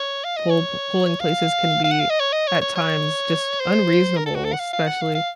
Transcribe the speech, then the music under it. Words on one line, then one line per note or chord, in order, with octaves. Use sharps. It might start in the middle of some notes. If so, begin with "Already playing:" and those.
pol polling places can be, at times, just unreasonable, especially
Already playing: C#5
F5
D#5
C#5
C#5
F5
F5
F#5
F5
D#5
C#5
D#5
C#5
C#5
C#5
C5
A#4
A4
F#4
A4
F#5
F5
F5
F#5
F5
F5